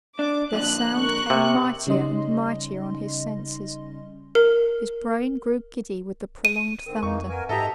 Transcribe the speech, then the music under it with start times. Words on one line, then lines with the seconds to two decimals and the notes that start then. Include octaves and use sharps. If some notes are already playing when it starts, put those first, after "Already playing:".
Their sound came mightier and mightier on his senses; his brain grew giddy with the prolonged thunder.
0.19 D4 D6
0.53 F2 A#2 D3 F#6
0.97 A#4 C#6 F#6
1.30 C3
1.87 C#3 G3 C#4 D#4 D#5 C6
4.35 A#4
6.45 D#7
6.86 G#2 D3 C4 A#4
7.03 F2 E3 A#3 D#4 C#6
7.29 A#4 B4 F#5 G#5
7.49 G#2 G4 A4 D#5 E5 A#5